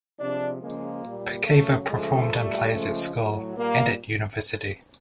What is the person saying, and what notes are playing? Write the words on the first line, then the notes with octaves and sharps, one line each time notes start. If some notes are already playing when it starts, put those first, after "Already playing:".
Pickhaver performed in plays at school and at university.
C3 F3 G#3 D4
C#3 F3 G#3 A#3
A#2 G3
C#3 F#3 A3
C#3 F3 G#3 A3
A#2 G3
C#3 F3 G#3
A2
F#3
A#2 G3 A#3